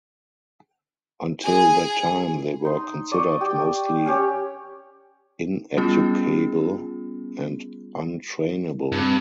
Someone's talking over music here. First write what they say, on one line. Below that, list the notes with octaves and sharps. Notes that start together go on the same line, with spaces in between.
Until that time they were considered mostly ineducable and un-trainable.
G#4 G#5
D#4 C6
D5 D#5 C#6 D6
G4 G5
C#4 G4 C#5
G3 B3 C#4 F4 G#4
G2 C4